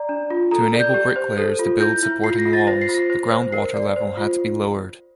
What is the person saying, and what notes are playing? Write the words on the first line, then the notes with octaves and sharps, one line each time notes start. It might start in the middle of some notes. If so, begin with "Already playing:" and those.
To enable bricklayers to build supporting walls, the groundwater level had to be lowered.
Already playing: D5 A#5
D4
F4
A4 A#5
D5
G6
G4
C5
A4
F4
E4 G6
E4
F4 C7
A#6
F4
A6
C5 A#6
C7
F4
A#6
C5
C5
A#4 C7
D5
C5
F4